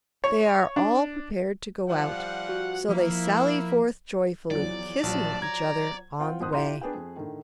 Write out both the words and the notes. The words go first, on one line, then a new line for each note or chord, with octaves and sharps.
They are all prepared to go out; so they sally forth joyfully, kissing each other on the way.
C#5
D4
F3 G3 F#5
F#4
F3 A#3 E4
E2 F3 F#3 D5
A#1 F3 F#3 A5
A#5 G#6
C4 F4 F#5 G5
C2 F2 A2 C5 D#6 F#6
E4 F4 G4 A#5 C6
B3 D4 G#4 B4 G5
F2 G#4
A2 D3 D#3